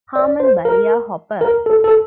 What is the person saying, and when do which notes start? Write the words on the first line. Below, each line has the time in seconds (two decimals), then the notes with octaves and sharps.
Harman Baillie Hopper.
0.16 D5
0.40 C5
0.65 A#4
1.41 A#4
1.66 A4
1.84 A4